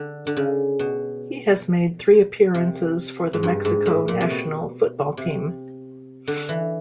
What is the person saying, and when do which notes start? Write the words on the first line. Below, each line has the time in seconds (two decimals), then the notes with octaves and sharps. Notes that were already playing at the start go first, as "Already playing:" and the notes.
He has made three appearances for the Mexico national football team.
Already playing: D3
0.27 D3
0.37 C#3
0.79 B2
2.54 C3
3.33 G#2
3.43 G2
3.65 G#2
3.86 A2
4.08 A#2
4.21 C3
4.30 B2
5.17 C3
6.28 D3
6.49 E3